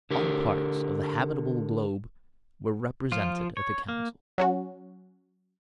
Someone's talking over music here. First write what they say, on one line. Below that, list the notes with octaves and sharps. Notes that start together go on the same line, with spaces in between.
All parts of the habitable globe were represented at the Council.
D3 G4 A#4
F3 F4
C#5
A#3
F#3 C#4 F#4